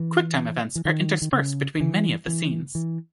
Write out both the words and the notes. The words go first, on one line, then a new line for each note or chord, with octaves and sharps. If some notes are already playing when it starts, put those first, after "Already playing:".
Quick Time Events are interspersed between many of the scenes.
Already playing: E3
E3
D#3
D#3
C#3
E3
E3
E3